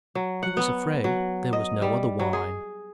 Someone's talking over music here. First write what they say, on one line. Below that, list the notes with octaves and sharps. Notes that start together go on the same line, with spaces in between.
He was afraid there was no other wine.
F#3
F#5
B3
F#3
D#5
G3
F#3
G#4